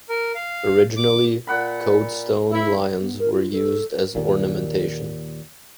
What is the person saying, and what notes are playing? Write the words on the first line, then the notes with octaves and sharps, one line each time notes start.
Originally, Coade-stone lions were used as ornamentation.
A#4
F5
D6
A#2 F#5 B5
E4
B3
A#4
F4
A4
D#2 A#2